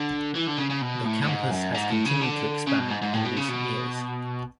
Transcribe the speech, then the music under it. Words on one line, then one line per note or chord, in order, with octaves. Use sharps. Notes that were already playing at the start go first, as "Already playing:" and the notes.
The campus has continued to expand in recent years.
Already playing: D3
E3
D3
C#3
C#3
B2
A2
A2
G#2
F#2
G#2
A2
C#3
D3
C#3
B2
G#2
G#2
A2
B2
C#3
B2